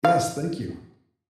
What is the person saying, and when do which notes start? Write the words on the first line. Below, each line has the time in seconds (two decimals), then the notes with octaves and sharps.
Yes, thank you.
0.05 F5